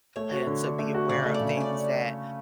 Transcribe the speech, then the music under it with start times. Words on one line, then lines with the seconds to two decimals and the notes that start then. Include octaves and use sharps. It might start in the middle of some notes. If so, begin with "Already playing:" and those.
and to be aware of things that
0.16 A3 C#5
0.32 F#4
0.47 D3
0.63 D4
0.79 A3
0.94 F#4
1.09 C#3 D5
1.26 A3
1.34 D5
1.41 C#3
1.57 C#4 D5